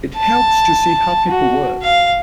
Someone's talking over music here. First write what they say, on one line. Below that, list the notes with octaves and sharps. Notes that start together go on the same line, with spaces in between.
It helps to see how people work.
A5
F#4
F5